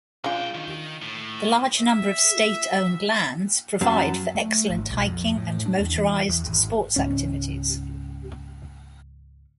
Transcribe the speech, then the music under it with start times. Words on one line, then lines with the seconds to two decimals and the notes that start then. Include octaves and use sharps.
The large number of state-owned lands provide for excellent hiking and motorized sports activities.
0.24 B1 G#3 D4 F4 G5
0.55 D#3
1.02 A2
1.79 E5
3.81 F#2 A5
4.35 A3
4.70 G#1
4.90 B1
5.06 F2
5.36 A2
5.66 D4
5.80 E2
5.95 E3
6.29 E2
6.46 G#1
6.96 C#2 G#2 C#4